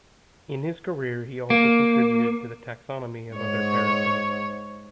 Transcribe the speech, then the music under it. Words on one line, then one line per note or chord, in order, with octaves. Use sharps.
In his career he also contributed to the taxonomy of other parasites.
A#3
G#2 C#5